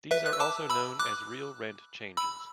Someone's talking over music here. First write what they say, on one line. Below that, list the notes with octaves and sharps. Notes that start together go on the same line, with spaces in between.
These are also known as real rent changes.
B4 E5
F#6
E6
A5 D6
B5 E6
D6 F#6
B5 E6